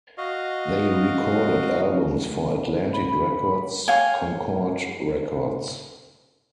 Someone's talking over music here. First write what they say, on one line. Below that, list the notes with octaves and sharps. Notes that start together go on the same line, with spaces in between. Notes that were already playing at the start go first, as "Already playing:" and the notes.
They recorded albums for Atlantic Records, Concord Records.
F#4 D#5 F5
B5
C#5 F5 G5 G#5